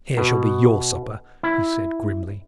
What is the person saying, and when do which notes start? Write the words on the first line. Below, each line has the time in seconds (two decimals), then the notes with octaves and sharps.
"Here shall be your supper," he said, grimly.
0.17 B2
1.43 E4